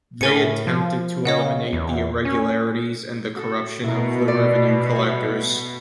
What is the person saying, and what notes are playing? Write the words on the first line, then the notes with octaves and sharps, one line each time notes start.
They attempted to eliminate the irregularities and the corruption of the revenue collectors.
A2 A#4 G#5 C#7
F3
C#3 C#5 D#5 F#5
E2
C#4
F#4 A4
B2 E4 A#4
D5
G3 E5